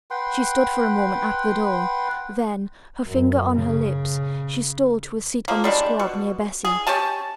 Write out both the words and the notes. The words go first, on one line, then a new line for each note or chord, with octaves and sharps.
She stood for a moment at the door--then, her finger on her lips, she stole to a seat on the squab near Bessy.
B4 F#5 G5 C6
F#2
C#3
F3 A#3
G3 G#3 D4
B2
G#4
C#4 G4 G#5 A5